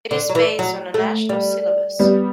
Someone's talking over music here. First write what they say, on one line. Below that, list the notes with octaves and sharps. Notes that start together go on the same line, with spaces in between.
It is based on a national syllabus.
D3
F#3
E3
F#3
A3
G3
G3 B3